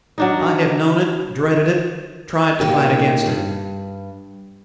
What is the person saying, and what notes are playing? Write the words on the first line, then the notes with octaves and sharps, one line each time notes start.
I have known it--dreaded it--tried to fight against it.
F#3 D4 D#4
A#2 D#3 G4
G2